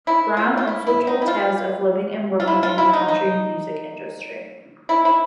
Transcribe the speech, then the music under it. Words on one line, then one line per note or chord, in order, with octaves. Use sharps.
Brown also told tales of living and working in the country music industry.
E4
F4
F4
E4
E4
D#4
E4
F4
F4
E4
F4
E4
D#4
D#4
E4
E4